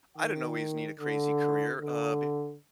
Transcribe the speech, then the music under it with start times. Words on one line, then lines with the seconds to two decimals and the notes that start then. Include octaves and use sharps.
I didn't always need a crazy career, uh,
0.18 D#3
1.00 D3
1.82 D3